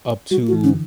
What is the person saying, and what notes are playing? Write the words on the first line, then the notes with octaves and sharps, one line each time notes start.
up to"
G3 F#4
F#4
E3
D3 C#4